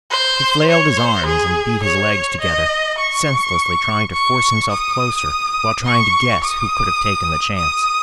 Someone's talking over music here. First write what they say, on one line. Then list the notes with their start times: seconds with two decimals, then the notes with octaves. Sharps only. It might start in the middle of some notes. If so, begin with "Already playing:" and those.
He flailed his arms and beat his legs together, senselessly trying to force himself closer, while trying to guess who could have taken the chance.
0.11 C5
0.69 C#5
0.97 C5
1.26 G#4
1.83 C#5
2.41 D#5
2.98 C#6
4.12 C#6
4.70 D#6
5.85 C#6
6.42 D#6
7.57 D#6